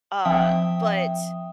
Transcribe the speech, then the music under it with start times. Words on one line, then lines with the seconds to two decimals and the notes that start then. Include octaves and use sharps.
Uh, but
0.25 F3 C4 E5 G5 D#6